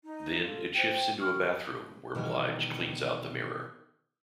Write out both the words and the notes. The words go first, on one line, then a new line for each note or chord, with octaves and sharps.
Then, it shifts into a bathroom where Blige cleans out the mirror.
D#4
F4 A4
C5 G5
C#6 F6
G4
B2 D#3 E3 G3 G#5